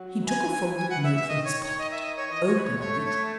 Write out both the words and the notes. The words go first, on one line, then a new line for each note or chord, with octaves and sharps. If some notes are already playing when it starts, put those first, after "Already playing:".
He took a folded note from his pocket, opening it.
Already playing: F#3
E3 G#5
G#5
G#5
F#5
E5
E5
D#3 D#5
C#5
C#5
D#5
E5
D#5
C#5
E3 D#5
C#5
B4
C#5
A3 C#5
C#5